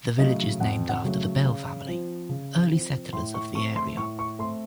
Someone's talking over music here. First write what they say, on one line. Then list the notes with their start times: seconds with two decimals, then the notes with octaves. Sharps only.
The village is named after the Bell family, early settlers of the area.
0.18 C#3 F#3 A3 D#5
0.60 F2 F#5
0.89 F#5
1.03 C#3 F#3 A3
1.45 C#3
1.86 F3 C4
2.29 C#3
2.71 F3 C4
3.13 A2 C6
3.34 C#6
3.55 A3 C4 C#6
3.76 C6
3.97 A2 C#6
4.19 C#6
4.39 A3 C4 C6